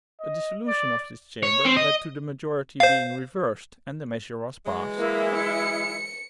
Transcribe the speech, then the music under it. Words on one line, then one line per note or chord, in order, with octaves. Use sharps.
A dissolution of this Chamber led to the majority being reversed, and the measure was passed.
D#5
D5
C#5
C4
D#5
C5 F5
E3 F#3 G#3
A#3 E4
C#7